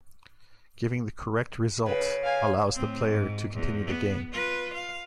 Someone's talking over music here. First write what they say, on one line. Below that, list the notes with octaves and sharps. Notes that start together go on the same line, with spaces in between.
Giving the correct result allows the player to continue the game.
C#3 B4
F5 G#5
A2 C4
G#2
E2
B3
F4 B4
F5